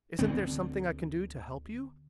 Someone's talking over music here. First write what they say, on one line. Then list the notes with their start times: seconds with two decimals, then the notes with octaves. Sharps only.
"Isn't there something I can do to help you?"
0.19 D2 D3 B3 C4